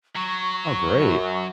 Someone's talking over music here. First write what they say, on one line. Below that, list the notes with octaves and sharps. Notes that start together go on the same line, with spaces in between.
Oh, great.
F#3 C#6
F#2